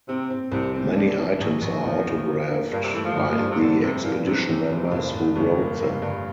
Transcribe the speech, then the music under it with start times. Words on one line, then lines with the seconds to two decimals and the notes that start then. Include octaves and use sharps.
Many items are autographed by the expedition members who wrote them.
0.08 C3 C4
0.30 C4
0.52 C2 C3
0.74 E3 C4
0.96 D4
1.18 D4
1.40 A#1
1.62 A#1
1.84 E2 F3
2.06 E2
2.29 A#3
2.51 A#3
2.72 G2 A#2
2.84 C3
2.94 E3 A3
3.04 F3
3.15 G2
3.37 G2
3.51 C3
3.60 F1 D3
3.82 F2 C3
4.03 A#2 E3
4.25 F2 C3
4.48 E2 C3
4.69 F1 C3
4.91 F1 A#2
5.13 F1 A#2
5.35 G1 A#2
5.57 A#2 A#3
5.80 A#3
6.02 G2